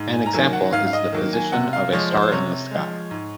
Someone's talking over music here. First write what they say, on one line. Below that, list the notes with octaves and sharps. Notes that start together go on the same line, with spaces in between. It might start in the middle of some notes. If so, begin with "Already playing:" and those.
An example is the position of a star in the sky.
Already playing: G#2
G#5
A#5
D#3 F#3 A#3 G#5
F#5
G#2 F5
F5
D#5
D#3 F#3 A#3
G#5
C3 F#5
F5
F3 G#3 C#5
C5
C5
C3 C#5
F3 G#3
G#2